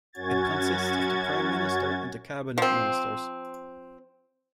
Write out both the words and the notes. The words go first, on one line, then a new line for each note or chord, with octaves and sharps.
It consists of the Prime Minister and the cabinet ministers.
F#2 C#4 F#4 G#6 A6
F3 C4